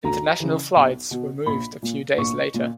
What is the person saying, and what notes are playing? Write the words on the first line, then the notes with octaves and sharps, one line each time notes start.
International flights were moved a few days later.
D2 A#5
C#3 E3
B1
B2
A#1 B5
A#2
A#1 C#6
A#2